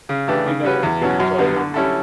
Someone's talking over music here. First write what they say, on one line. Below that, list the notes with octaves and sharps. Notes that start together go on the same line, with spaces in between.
you know, sorry, I wasn't like,
C#3
E3 A3 D4 G4
C#3
G3 C#4 F#4 B4
E2
B2 F#3 C#4 F#4
F#2
D3 G3 B3 F#4
D3
G3 C#4 E4 A4